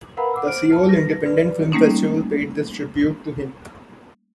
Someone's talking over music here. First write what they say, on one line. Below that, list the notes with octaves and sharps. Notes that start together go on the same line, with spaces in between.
The Seoul Independent Film Festival paid this tribute to him.
A#4 B4 F5 F#5 A#5 B5
F#5 D6 E6
C5 F6 D7
A5 F6
B4 A#6
B4 D5
G3 A3 A#3 C#4 D#4